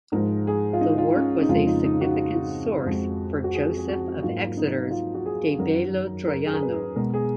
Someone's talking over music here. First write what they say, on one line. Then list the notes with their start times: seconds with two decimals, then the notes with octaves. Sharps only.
The work was a significant source for Joseph of Exeter's "De bello Troiano".
0.12 G#2 F3 G#3 A#4
0.47 G#4
0.73 F4
0.81 D#4
0.98 F4
1.15 C#4
1.41 D#4
1.49 F2 C#3 F3 G#3 F4
1.67 D#4
1.84 D#4
2.01 F#4
2.86 F2 F3 G#3
3.44 F#4
3.54 G#4
3.77 G#4
3.89 F#4
4.23 G#2 F#3 A#3 F4
4.57 D#4
4.91 F4
5.15 F#4
5.26 G#4
5.59 F#2 D#3 F#3 A#4
6.27 A#4
6.46 G#4
6.54 A#4
6.62 B4
6.96 B2 G#3 A#4
7.14 G#4